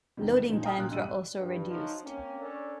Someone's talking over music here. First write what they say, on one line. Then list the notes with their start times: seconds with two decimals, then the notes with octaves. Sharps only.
Loading times were also reduced.
0.17 E2 C3 D#3 G3
0.37 E7
0.49 A#2 F3 D#4
0.64 F5 G5 G#5 A#5 D#6 F6
0.78 A#2 F#6
0.91 G2 G3 D#5 E6 D#7
1.37 G2
1.69 F3 F#3 D#4
2.03 A#3 C4 C#4
2.39 C#4 D4 A4 A#4 C#5 D5